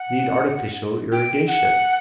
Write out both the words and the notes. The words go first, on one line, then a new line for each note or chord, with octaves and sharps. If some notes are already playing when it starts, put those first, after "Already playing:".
Need artificial irrigation.
Already playing: F#5
G5
F#5